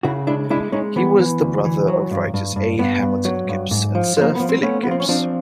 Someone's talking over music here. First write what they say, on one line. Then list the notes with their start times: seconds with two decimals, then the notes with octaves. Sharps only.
He was the brother of writers A. Hamilton Gibbs and Sir Philip Gibbs.
0.03 C#3 E4 F#4
0.27 G#3 D4 E4
0.50 G#3 D4 E4
0.72 G#3 C#4 D#4
0.96 E3 B3
1.19 E3
1.42 D2
1.65 E3
1.88 F#3
2.11 G2
2.34 G2
2.56 G2
2.79 G2 B3
3.02 G2
3.25 F#3
3.49 G2
3.71 G#2
3.95 F3
4.17 F3 A#3
4.35 F3 B3
4.49 C4
4.63 A3 B3 C#4
4.83 B3
4.87 F3 C4
5.00 C#4
5.09 F3 C4 D4